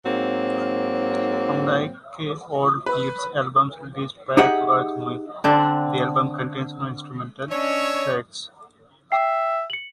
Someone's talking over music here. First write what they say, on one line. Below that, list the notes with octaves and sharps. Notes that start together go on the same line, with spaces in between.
Unlike Oldfield's albums released prior to "Earth Moving", the album contains no instrumental tracks.
G#2 F#3 A#3 C4
B4
D#4 G4 G#4 E5 F#5
D3 C4 D4
C#4 D4 C#5 D#5 E6
E5 G5 C7
C#7 F#7